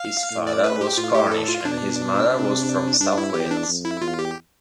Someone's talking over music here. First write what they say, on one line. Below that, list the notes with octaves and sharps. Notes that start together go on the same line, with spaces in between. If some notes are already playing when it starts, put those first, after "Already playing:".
His father was Cornish and his mother was from South Wales.
Already playing: F5
A2
D5
B4
G4
A2 F4
G4
A4
F4
B2 D4
C3
G2 D4
E4
E2 G4
D4
F2
E4
E2 F4
G4